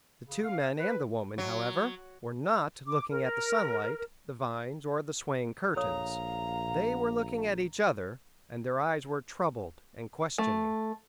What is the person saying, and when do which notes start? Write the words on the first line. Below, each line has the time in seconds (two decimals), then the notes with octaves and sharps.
The two men and the woman, however, were not looking at the sunlight, the vines, or the swaying curtains; they were looking at each other, and their eyes were troubled and questioning.
0.25 C#3
0.43 F5
0.78 B4
1.38 F#3
2.87 D6
3.10 A#4
5.76 A#1 A4 C#5 F5 A#5 D#6
10.38 A3